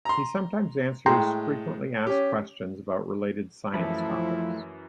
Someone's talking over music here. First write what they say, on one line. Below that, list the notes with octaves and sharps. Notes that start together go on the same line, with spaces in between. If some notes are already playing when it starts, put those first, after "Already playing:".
He sometimes answers frequently asked questions about related science topics.
A#5 C6
A2 G#3 G5 A#5 C6
C#4 G4
F#2 E3 F3 A3 E4 A5 B5